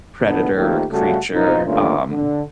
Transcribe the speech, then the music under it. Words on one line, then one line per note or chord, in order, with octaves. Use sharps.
predator or creature, um,
C2 F2 A2 D3 B3 D4
F2 D#3 F3 A3 A#3 G4
C#3 G3 A3 F4 F#4 A4
A1 B2 F3 D#4
G2 D3 A3 A#3 C#4 F4
D3